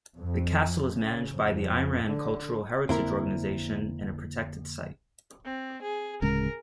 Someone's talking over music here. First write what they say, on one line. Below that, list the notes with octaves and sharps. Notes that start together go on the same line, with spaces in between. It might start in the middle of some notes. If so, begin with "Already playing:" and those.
The castle is managed by the Iran Cultural Heritage Organisation and a protected site.
F2
C#3
F2
D3
F2 D3 A#3 C4 E4 A#4
C4
G#4
D1 C#3 G#3 A#4